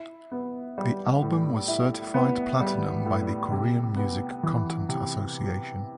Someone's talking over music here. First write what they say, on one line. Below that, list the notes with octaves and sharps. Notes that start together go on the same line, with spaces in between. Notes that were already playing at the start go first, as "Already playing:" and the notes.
The album was certified platinum by the Korean Music Content Association.
Already playing: E4
B3
G3
A2
E4
B3
G3
A2
C3
B3
E3
C3